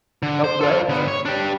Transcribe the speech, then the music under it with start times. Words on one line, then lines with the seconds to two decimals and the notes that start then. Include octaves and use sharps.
Oh, go ahead, sorry.
0.23 D3
0.44 C5
0.61 F4 A4
0.89 D3 B3
1.08 C#5
1.25 D4 G4